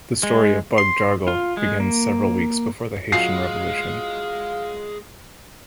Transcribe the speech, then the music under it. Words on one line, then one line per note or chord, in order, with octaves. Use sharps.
The story of Bug-Jargal begins several weeks before the Haitian Revolution.
G#3
C6
F4
G#3
A#3
F#3 G#3 F4 F5 C7